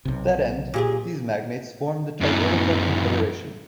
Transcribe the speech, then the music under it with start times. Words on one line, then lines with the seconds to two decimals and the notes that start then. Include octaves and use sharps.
To that end these magnates formed the Targowica Confederation.
0.05 B1 C3
0.74 A#2 G4 G#4
2.21 F#2 E3